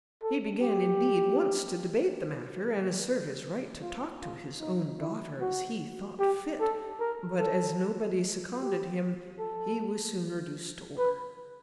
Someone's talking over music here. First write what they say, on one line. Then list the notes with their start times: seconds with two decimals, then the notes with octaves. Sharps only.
He began, indeed, once to debate the matter, and assert his right to talk to his own daughter as he thought fit; but, as nobody seconded him, he was soon reduced to order.
0.23 A4
0.62 G4
3.81 F4
4.21 F4
4.60 D#4
5.00 E4
5.41 F#4
6.19 G4
6.60 A4
7.00 A#4
7.39 A4
8.60 G4
9.39 A4
10.98 B4